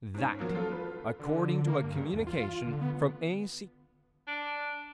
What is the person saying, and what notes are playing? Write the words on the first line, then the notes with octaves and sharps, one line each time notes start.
That, according to a communication from A.C.
G#2 C#4
F3 F#3 A#3
F4 A4
B4
D3
A#3
G2
E2
F4
D3
B3
D4